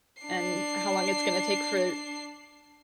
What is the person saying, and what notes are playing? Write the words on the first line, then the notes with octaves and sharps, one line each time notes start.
and how long it's gonna take for
D4 C7